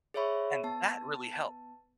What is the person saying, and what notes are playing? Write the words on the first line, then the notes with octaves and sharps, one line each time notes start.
And that really helped.
G#4 C5 C#5 E5 B5 C#6
B3 A5